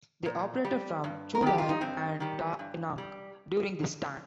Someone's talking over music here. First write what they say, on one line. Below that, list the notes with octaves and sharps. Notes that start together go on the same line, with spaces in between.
They operated from Chu Lai and Da Nang during this time.
A#2
G3
G2
A#4
D#3 G3 G4
F4
D#4
G2 C4
D#3 G3
G2
G3